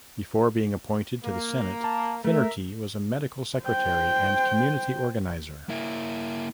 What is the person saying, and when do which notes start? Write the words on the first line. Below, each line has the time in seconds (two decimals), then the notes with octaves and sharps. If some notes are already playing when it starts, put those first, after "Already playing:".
Before being appointed to the Senate, Finnerty was a medical secretary and community organizer.
1.25 A#3
1.84 A5
2.25 A3 A#4 E5
3.63 C5 G5
5.69 A#3 E4